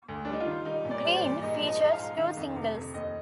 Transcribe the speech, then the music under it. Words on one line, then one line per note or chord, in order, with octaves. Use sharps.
"Green" features two singles.
D2
D4
G3
D#4
F4
D#3
G3 D#4
A#2
D5
G3 C5
D5
A#2
G#2 D#5
F3
D#5
G#2
F5
G#3
D#3 F5
F2
C3
F2
D#2 D#5